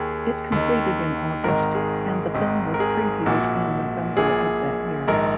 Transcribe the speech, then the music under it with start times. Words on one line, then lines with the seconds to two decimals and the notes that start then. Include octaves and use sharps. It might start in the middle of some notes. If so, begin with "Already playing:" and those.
It completed in August and the film was previewed in November of that year.
Already playing: D#2 D#3 G#4
0.52 D#2 D#3
1.44 G#1 G#2 D#3 A#4
1.75 G#4
2.34 G#1 G#2 D#3
2.74 A#4
2.80 G#4
3.26 A#1 A#2 F#4
4.17 A#1 A#2 G#4
5.08 A#1 G#2 D#3 A#4